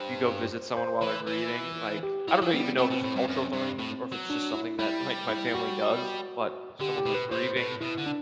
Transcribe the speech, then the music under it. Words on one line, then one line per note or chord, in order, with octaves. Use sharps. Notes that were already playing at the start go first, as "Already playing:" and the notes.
you go visit someone while they're grieving, like I don't know. Even know if it's a cultural thing or if it's just something that, like, my family does, but if someone's, like, grieving
Already playing: G2 C5
C5
E3 B4
E3
G4
F#3 E4
F#3
G3 B3
A3 C4
B2
A2
G2
F#2
G2
A2
F#3
D4
E4
G3 E4
E4
F#4
D3 G4
G4
B2
B4
A2 C5
A2 B4
B2 E4
D3
D4